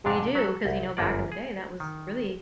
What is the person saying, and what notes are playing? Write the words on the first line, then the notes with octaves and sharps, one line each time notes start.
we do 'cause, you know, back in the day, that was really
F2 G#2 C3 D4 F5
F#3 A4
C2
G1 F#2 A#3 D5
G#4
D#3